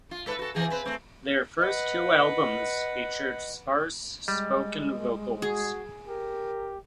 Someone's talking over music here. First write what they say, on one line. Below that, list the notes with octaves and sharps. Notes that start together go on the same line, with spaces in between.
Their first two albums featured sparse, spoken vocals.
F4
G#2 A4 B4
F#4 A4
C3 E3 G#4
C4 B4
A3 C4
B4 D#5 F#5
G3 G#3 D#5
F#4 G#4
G4 A#4